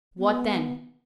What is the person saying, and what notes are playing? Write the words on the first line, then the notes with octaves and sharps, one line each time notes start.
"What then?"
B3